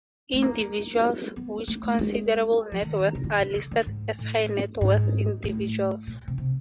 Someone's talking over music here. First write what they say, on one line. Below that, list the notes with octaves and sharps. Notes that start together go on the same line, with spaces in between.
Individuals with considerable net worth are listed as High-net-worth individuals.
A3
A#3
B3
A#3
A3
G#3
F3
D#3
C#3
D3
D3
D3
D3
G#2
A2
G#2
A2
A#2
C3
C3